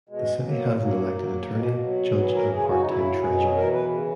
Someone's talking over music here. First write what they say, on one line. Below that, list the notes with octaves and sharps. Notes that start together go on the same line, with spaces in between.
The city has an elected attorney, judge and part-time treasurer.
B2 G#3
F#3 A#3
F#3 A#3
F#3
B2
F#3
E3 B3
A#4
C#3 G#4
F#4
D#4
F#3 E4
B2 G#4
E3 A#4
B4
C#3